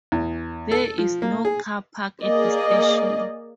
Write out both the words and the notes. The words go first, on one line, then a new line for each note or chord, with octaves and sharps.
There is No car park at the station.
E2
A4
F3
A#3
G#4
A#3 G#4 D5 D#5